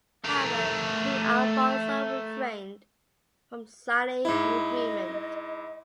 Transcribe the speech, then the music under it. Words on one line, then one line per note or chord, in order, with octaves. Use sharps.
However, King Alfonso refrained from signing an agreement.
A3 A#4
G#2 E4 D#5